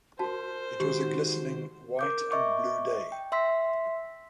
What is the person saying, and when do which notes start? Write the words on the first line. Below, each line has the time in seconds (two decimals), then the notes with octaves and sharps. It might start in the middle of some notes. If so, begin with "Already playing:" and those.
It was a glistening, white-and-blue day.
0.19 F#4 A#4 C5 A5
0.80 D#3 G#3 F#4 G4
1.99 A#4 D6 G6
2.32 D#5 E5 C#6 D6
3.12 G5
3.32 E5 C6 E6 B6